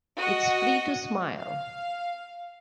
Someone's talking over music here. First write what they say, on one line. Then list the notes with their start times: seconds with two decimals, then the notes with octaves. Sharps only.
It's free to smile.
0.17 F#4 D#5
1.36 F5